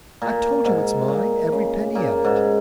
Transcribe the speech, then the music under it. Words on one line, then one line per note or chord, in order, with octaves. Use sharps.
"I've told you it's mine, every penny of it!"
A#2
G#2
A#2
C#3
A#2
G#2